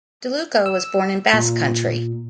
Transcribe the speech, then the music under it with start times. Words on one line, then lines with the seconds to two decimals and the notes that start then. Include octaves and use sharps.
De Luco was born in Basque Country.
0.66 E6
1.33 A#2